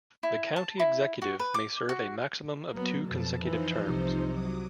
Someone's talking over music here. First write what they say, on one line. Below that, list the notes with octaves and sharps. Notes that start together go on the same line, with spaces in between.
The County Executive may serve a maximum of two consecutive terms.
E4
A5
E4
F#4
B4
D6
F#4
F#3 A#3 B3
F2 B2 A5
E3 F3 D#4 C5
C2 C3
F#3 D6 D#6